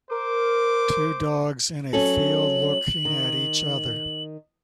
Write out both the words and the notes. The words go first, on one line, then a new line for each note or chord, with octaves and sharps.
Two dogs in a field looking at each other.
A#4 C5 D6
F#3 C#4 A4 F#7
D#3